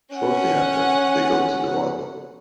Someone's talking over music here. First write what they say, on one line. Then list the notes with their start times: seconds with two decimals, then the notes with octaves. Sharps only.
Shortly after, they go to Dorado.
0.14 C#4 F#5